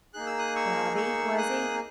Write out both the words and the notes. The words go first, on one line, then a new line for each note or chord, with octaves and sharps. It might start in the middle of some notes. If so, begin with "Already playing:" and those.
"Bobby, was he?"
A#3 D#4 G#4 F#6
E6
D#6 F#6
C#6 E6
C#6 E6
D#6 F#6